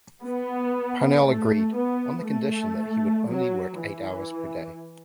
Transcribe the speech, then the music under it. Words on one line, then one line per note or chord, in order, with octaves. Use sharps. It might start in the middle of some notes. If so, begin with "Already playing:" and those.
Parnell agreed, on the condition that he would only work eight hours per day.
B3
A3
B3
A3
F#3
E3